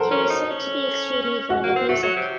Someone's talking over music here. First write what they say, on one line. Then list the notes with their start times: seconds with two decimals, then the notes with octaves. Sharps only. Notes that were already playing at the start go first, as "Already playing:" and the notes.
He was said to be "extremely fond of music".
Already playing: F#4 A4 A#4 C5
0.11 C#4
0.30 D#4
0.50 C#4
1.50 F#4
1.64 A#3
1.69 F#4
1.76 C4
1.89 A3 F#4
2.03 F#3
2.17 C3